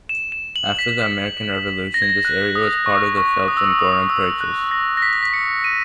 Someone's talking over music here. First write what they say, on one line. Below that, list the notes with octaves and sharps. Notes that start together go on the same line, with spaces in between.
After the American Revolution, this area was part of the Phelps and Gorham Purchase.
E7
E7
F#7
B6
B6
A#6
G#6
A#6
F#6
D#6
C#6
C#6
D#6
E6
D#6
D#6
E6
F#6
A#6
A#6
B6
B6
C#7
D#7